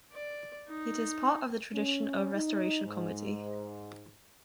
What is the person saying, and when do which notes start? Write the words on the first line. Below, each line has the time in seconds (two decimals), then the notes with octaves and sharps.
It is part of the tradition of Restoration Comedy.
0.12 D5
0.68 D#4
1.74 C#4
2.33 D#4
2.85 G#2